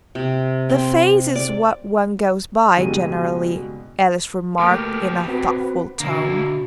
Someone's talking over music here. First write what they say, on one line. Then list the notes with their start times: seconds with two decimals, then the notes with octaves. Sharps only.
'The face is what one goes by, generally,' Alice remarked in a thoughtful tone.
0.15 C3
0.70 C4
1.36 D5
2.77 F#1 G#2 B2 G3 D#7
4.59 B2 A3 A#3 G4 F6
5.28 C4 F#4 B4
6.00 B2 D3 A#3 E4